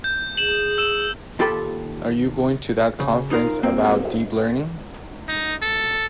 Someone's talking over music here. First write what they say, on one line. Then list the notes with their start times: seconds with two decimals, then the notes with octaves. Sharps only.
Are you going to that conference about Deep Learning?
0.04 G6
0.37 G#4 E7 F#7
0.78 E6 E7
1.39 D#2 F4 G4 A4 B5
3.00 C#3
3.31 D#4 F4 A#4
3.63 A#3 C4
5.29 D#4
5.62 A4